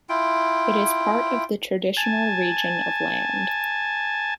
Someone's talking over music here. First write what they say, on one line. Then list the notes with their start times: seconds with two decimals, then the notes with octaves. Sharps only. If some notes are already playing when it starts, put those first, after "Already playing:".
It is part of the traditional region of Land.
0.09 E4 F4 G5
1.97 G#5 A5